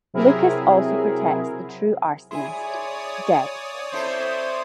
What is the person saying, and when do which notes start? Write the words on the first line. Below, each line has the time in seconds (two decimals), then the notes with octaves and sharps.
Lucas also protects the true arsonist: Deb.
0.14 C3 F#3 C4 E4 G#4 A#4
2.31 E4 G#4 C#5 D5 G#5 C6 D#6
3.92 C4 E4 A4 C5